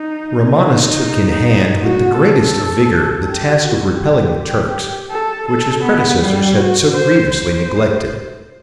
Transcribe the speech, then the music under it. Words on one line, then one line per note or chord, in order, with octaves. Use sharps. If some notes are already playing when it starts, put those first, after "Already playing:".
Romanus took in hand with the greatest vigour the task of repelling the Turks, which his predecessor had so grievously neglected.
Already playing: D#4
D#4
F#4
A4
G4
F#4
G4
A4
A4
B3
G3
F#4
C5
C5